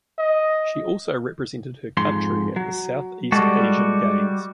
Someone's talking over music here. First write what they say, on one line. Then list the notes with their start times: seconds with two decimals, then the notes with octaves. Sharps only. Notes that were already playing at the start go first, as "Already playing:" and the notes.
She also represented her country at the Southeast Asian Games.
0.18 D#5
1.97 F2 G#2 C6
2.56 F#3
3.32 G3 G#3 F#4 A4